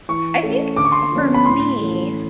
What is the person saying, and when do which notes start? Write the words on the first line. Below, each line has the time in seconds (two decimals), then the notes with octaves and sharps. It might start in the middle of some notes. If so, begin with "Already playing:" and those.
I think for me,
0.09 E3 C#6
0.43 A3 C#4
0.76 D3 D6
0.85 C#6
0.92 C6
0.99 C#6
1.11 F3 A#3 C#4
1.34 B5
1.45 A2 C6
1.81 E3 A3 C#4